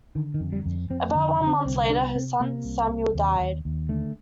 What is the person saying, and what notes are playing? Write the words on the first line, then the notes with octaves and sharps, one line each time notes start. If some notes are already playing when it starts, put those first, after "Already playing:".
About one month later, her son Samuel died.
D3 D#3
D#3
F2
G3
F2
F2 C4
A#3
D3
D3
C4
C2 C4
C3 D4
C3 C4
C3 A#3
C2
C3
D#2
D#2
D#2
D3 A3